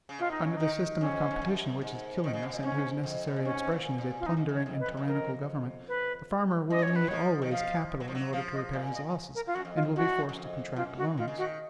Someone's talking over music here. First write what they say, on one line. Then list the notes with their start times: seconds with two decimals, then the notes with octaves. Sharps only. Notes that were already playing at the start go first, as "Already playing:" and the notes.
Under the system of competition which is killing us, and whose necessary expression is a plundering and tyrannical government, the farmer will need always capital in order to repair his losses, and will be forced to contract loans.
0.09 C#3
0.19 B2 F4
0.31 D#4
0.44 C#4
0.57 D#3 D#4
1.00 F2 C#4
1.31 G#2
1.42 F#2
1.82 G#2
2.24 D#3
2.33 C#3
2.43 B2
2.53 A#2
2.63 G#2 C#4
3.03 F2
3.27 B2
3.36 A#2
3.44 G#2 C#4
3.71 A#2
3.98 A#2
4.20 F4
4.25 F#2 D#4
4.37 G#2
4.49 F#2 C#5
4.66 F2
4.80 B4
4.86 F2
4.97 F#2
5.07 F2 A#4
5.88 B4
6.70 F#2 D#5
6.79 G#2
6.83 F#2 C#5
6.96 B4
7.07 D#3 F3 C#5
7.42 D#3
7.51 F3 F5
8.00 F#3
8.08 F3
8.15 F#3
8.33 F3 F5
8.54 D#5
8.73 A#2 F5
8.94 D#5
9.35 A#4
9.47 F4
9.55 F#2 F#4
9.65 F2
9.75 F4
9.82 F2
9.96 F#2 F#4
10.29 F#2
10.37 F2
10.76 F#2 F4
10.97 F#4
11.17 D#3 F4
11.28 C#3
11.37 D#3 F#4